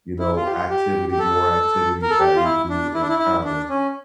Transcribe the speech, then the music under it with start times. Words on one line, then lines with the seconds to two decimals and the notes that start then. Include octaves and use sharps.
you know, activities more activities that we do in common,
0.19 E4
0.36 F4
0.46 G4
0.52 F4
0.70 G4
1.11 G4
1.19 A4
2.02 A#4
2.11 A4
2.19 G4
2.36 F4
2.44 E4
2.70 D4
2.94 E4
3.01 D4
3.09 E4
3.19 E4
3.44 D4
3.70 C#4